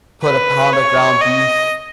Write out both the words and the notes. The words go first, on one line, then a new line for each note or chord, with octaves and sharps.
put a pound of ground beef
B4
C#5
D#5